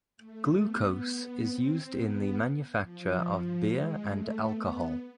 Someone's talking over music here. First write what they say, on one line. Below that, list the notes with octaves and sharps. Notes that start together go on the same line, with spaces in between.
Glucose is used in the manufacture of beer and alcohol.
A3
B3
B3
C4
B3
F3
G#3
A3
B3